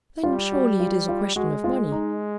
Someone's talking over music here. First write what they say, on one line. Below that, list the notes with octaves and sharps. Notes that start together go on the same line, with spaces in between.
"Then surely it is a question of money."
G3 F4
F#4
F4
F4
G#3 F#4
F4
D#4